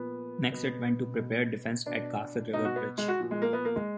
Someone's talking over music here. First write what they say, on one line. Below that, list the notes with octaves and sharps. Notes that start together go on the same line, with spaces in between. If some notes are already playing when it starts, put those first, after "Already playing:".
Next it went to prepare defences at Kaffir River Bridge.
Already playing: A#2 F3 B3
B2 B3
B2
B2 D4
B2 D#4
F#4
B3
G#3
F#4
A#2 F3
G#3
A#3
B3
A#3
G#3